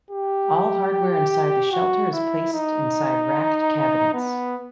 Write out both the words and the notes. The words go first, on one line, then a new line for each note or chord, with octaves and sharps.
All hardware inside the shelter is placed inside racked cabinets.
G4
F#4
E4
D#4
B3